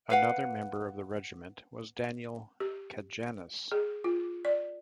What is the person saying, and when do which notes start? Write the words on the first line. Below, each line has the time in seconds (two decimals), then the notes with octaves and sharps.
Another member of the regiment was Daniel Cajanus.
0.10 B4 F5 F#5
2.60 G4
3.72 G#4
4.04 F4
4.45 D5